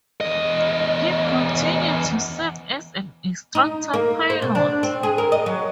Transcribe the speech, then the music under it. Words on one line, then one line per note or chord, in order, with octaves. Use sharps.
He continued to serve as an instructor pilot.
E2 D#5
D#4
A#3
C5
B2
D4
C4
G#4
A#4
D#5
F#3